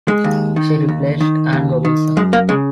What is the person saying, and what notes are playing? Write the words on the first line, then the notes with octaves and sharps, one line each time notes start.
She replaced Anne Robinson.
G#3
D#2
D#3
D#2
D#3
D#2
D#3
F#2 G#3
A#3
C#3 G#3